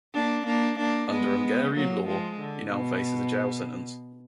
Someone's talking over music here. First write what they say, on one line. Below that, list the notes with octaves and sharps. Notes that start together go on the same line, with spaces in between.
Under Hungarian law he now faces a jail sentence.
A#3 D4
A#3 D4
A#3 D4
G#3 B3
F#3 A#3
F3 G#3
D3
B2